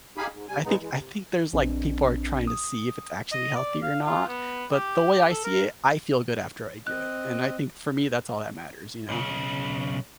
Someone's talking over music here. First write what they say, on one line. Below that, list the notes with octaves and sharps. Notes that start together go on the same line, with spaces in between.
I think I think there's, like people are trying to see if it's actually healthy or not, but the way I see it, I feel good after I do it, and I think, for me, that's all that matters, you know?
D#4 G4 G#4 F5 G#5 B5
G#2
C3 G3 G#5
A#2 C#3 G#3 B3 D#4
E3 G#3
C3
A#1 C4 D4
D#6
D#5
D5
F5
F4
B3
G4
A4
A#4
C4 D#5 F#6
B1 C#3